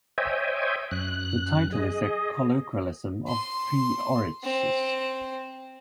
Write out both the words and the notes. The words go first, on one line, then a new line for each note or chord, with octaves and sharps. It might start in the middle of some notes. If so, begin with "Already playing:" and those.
The title is a colloquialism of P-Orridge's.
C5 C#5 D#5 E5 G5 G#5
F#2 F#6
G#4 D#5
C6
C4